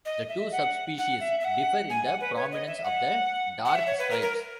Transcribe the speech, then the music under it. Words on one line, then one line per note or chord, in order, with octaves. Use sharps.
The two subspecies differ in the prominence of the dark stripes.
D#5
E5
F#5
F#5
E5
E5
F#5
G#5
F#5
B4
C#5
D#5
E5
F#5
F#5
E5
C#5
B4
A#4
A#4